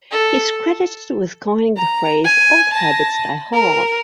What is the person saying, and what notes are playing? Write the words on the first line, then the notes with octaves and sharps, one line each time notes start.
He is credited with coining the phrase Old habits die hard.
A4
A#5
G#5
A5 A#6
A#4